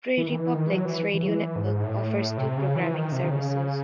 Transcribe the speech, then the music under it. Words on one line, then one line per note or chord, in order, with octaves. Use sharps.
Prairie Public's radio network offers two programming services.
E3
D#3
E3
D#3
E3
F#3
E3
E3
F#3
E3
G#2
A2
C3
C#3
E3
D#3
C3
D#3
C#3